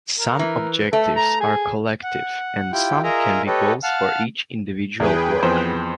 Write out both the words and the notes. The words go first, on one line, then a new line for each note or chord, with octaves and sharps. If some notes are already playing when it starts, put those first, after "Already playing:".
Some objectives are collective, and some can be goals for each individual worker.
A#4
E3
A3 A4
A#5
G#4
F#5
E4 F4 G4 G5
F4 G#4 A#4 D#5 E5 A#5
G4 A4 B4 C#5 D#5
F5 F#5 A5 F6
E2 G#4 B4 G5
F2 E3 B3 C5